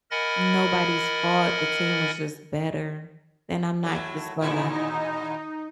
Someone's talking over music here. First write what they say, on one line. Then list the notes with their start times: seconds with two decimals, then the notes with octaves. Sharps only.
nobody's fault, the team was just better, then I'm not just gonna
0.11 A#4 D#5 F#5 G#5 B5 A6
3.84 A2 F#3 A3
4.41 D#2 A#2 D#4 E4